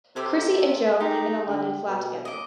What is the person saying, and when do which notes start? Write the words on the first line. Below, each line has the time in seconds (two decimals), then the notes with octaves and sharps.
Chrissy and Jo live in a London flat together.
0.16 C3 G4 A4 C5
1.00 D#4 G4
1.47 D3
1.88 B2
2.25 D#5 D6